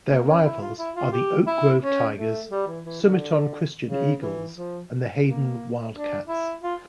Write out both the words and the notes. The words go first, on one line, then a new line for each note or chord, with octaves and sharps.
Their rivals are the Oak Grove Tigers, Sumiton Christian Eagles, and the Hayden Wildcats.
A#3
C#4
E4
F4
E4
F4
G4
E4
C#4
A3
G3
E3
E3
D3
C#3
E3
F3
A#3
D4
E4
F4